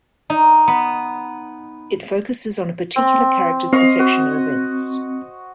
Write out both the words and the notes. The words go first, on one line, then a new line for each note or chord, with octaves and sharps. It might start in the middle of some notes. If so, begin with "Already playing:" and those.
It focuses on a particular character's perception of events.
D#4
B3
C4
C4 D#5 F5 C#6
F#4